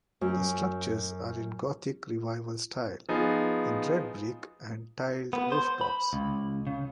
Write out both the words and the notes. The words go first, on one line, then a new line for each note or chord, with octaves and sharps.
The structures are in Gothic Revival style in red brick and tiled rooftops.
F#2
F3 B3 D#4 G#4
B3
C5
B5
C#2
C#3